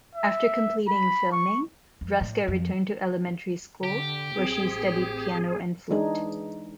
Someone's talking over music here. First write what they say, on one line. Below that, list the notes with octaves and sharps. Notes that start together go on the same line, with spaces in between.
After completing filming, Rosca returned to elementary school, where she studied piano and flute.
E5
B5
C#6
F2
A2
F2
D3 G4
A1 C4 G#4
E3 G#3 D4 D#4 G#4